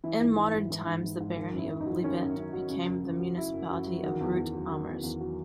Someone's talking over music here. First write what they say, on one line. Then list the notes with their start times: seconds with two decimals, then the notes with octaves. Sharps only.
In modern times the barony of Liesvelt became the municipality of Groot-Ammers.
0.04 E3 E4
0.20 G#2
0.37 E3
0.54 G#2
0.70 E3
0.86 G#2
1.03 E3
1.20 G#2
1.36 D#3
1.53 F#2
1.58 E4
1.70 F#2
1.81 D#4
1.86 F#3
2.03 D#3 C#4
2.21 F#2
2.36 F#2
2.53 F#3
2.70 C#3
2.87 F#2
3.03 F#2
3.20 F#3
3.37 C#3 E4
3.53 F#2
3.70 F#2 F#4
3.86 F#3
4.03 D#3 F#4
4.20 E2
4.37 E2
4.54 F#3
4.71 D#3
4.87 E2
5.03 E2
5.21 F#3